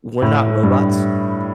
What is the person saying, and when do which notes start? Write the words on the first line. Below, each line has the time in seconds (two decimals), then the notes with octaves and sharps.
we're not robots,
0.22 A2
0.63 G2